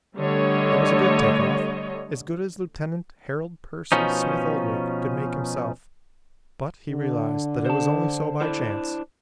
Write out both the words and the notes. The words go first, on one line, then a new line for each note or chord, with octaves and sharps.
It was a good take-off--as good as Lieutenant Harold Percy Smith-Oldwick could make himself but he realized that it was only so by chance.
D3 G3 A3 C#5 D#5
B2 F3 C#4 D#4
D3
C5 A5
D4 E4 C5